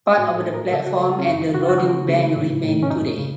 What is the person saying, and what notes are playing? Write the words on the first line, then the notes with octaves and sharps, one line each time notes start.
Part of the platform and the loading bank remain today.
A2 F#4
A4
A2
A#4
C#3 A4
F#4
A4
C#3
F4
C#4
F#2 D#4
C#3 F#4
F4
F#4
C#3
C#3
A2
A2
C#4
F#2 D#4
C#3